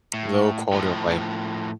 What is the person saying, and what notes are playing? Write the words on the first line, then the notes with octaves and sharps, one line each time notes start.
Low quality of life.
A2
A2 F3